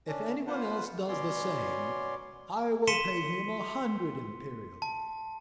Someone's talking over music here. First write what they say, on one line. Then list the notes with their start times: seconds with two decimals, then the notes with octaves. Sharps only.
If anyone else does the same, I will pay him a hundred imperials.
0.07 C#4 D4
0.47 F4 B4 C5 F#5
1.08 B2 B3 C#4 C#5 D5 C6
2.87 C6 B6 C#7 D#7 E7 G7
4.82 A5